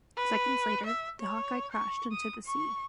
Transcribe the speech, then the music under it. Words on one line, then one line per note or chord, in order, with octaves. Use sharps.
Seconds later, the Hawkeye crashed into the sea.
B4
E5
C#5
C#6
D#6
C#6